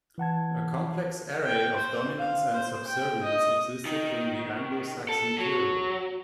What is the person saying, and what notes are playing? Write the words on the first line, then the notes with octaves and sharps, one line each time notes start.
A complex array of dominance and subservience existed during the Anglo-Saxon period.
E3 F#5 A5 G#6
G5
C5
F5
C5
G5
D#5
D#3
A4
F#3